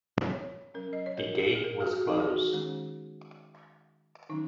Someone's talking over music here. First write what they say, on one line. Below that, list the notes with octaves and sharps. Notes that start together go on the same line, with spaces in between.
The gate was closed.
C#5
F#3 C#4 A#4
D#5
C#5
A#4
G#4
A#4
G#4
F#4
D#4
G#4
F#4
D#3 G#3 C#4
D#3 F#3 C#4 D#4